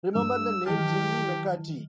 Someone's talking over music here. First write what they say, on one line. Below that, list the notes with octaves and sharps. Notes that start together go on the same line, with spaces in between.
Remember the name Jimmy McCarty.
G2 E6
D#3 E3 F#3 G4 A5 F6